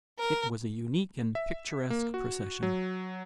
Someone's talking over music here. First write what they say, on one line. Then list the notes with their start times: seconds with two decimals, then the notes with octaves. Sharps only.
It was a unique and picturesque procession.
0.19 A#4
1.35 E5
1.90 A#3
2.14 F#4
2.63 F#3